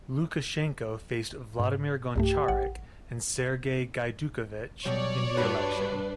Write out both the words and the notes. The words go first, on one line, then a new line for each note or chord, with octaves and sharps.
Lukashenko faced Vladimir Goncharik and Sergei Gaidukevich in the election.
G#2
B1 G2 A3 G4
A1 F#5
B2 F#3 G3 C#5 D5
G2 D4 F#4 G4 B4 B5